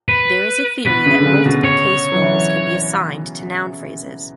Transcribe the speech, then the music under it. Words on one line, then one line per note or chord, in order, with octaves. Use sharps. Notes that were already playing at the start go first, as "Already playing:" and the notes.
There is a theory that multiple case roles can be assigned to noun phrases.
B4
B2 B4
C#3
D3
C#3
B2
C#5
F#3
E3